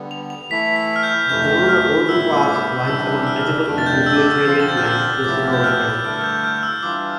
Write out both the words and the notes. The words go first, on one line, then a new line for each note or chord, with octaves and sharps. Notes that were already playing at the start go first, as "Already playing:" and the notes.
The Tohono O'odham Path winds among edible and utilitarian plants of the Sonoran Desert.
Already playing: D3 G3 B3
F7
F7
E3 A3 E4 A4 B6
B6
F6
G6
F2 C3 E3 A3 G6
F6
A2 G3 B3 E4 E6
D6
E3 G3 D4 E6
E6
F6
F2 D3 A3 D4 F6
A6
G6
E6
D6
E6
D3 F3 C4 F4 E6
A6
G6
F6
E6
A2 F3 B3 E4 G4 D6
G6
F6
G2 D3 A3 E4 A4 F6
G6
F6
E6
E3 G3 D4 F4 D6